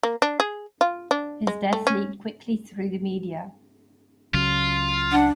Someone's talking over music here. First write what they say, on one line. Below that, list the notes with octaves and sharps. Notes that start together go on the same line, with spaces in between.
His death leaked quickly through the media.
A#3
D4
G#4
F4
D4
G#3
A3
C#4
C#2 C#3 F#3 F4
D4 F#5